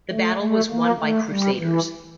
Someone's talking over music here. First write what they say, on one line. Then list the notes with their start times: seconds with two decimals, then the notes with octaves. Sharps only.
The battle was won by Crusaders.
0.11 A3
0.40 A3
0.70 A#3
0.99 A3
1.29 G3
1.59 E3